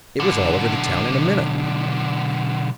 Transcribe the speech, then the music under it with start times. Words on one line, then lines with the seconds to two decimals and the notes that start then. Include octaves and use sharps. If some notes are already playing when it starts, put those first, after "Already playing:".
It was all over the town in a minutes.
0.20 B1 D3